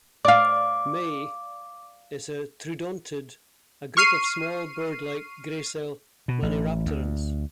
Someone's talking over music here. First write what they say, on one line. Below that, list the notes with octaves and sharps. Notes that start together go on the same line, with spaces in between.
"Mei" is a troodontid, a group of small, bird-like, gracile maniraptorans.
D5 F5 D6
C#6 F6 C7 D#7
B2
A1
D2